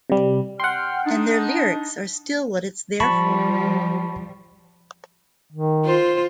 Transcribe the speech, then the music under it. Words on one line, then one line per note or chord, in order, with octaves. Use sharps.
And their lyrics are still what it's there for.
C3 G3
F#5 G5 C6 F6
D4 D#4
F3 G3 A5 B5 C#6
D#3
F4 C5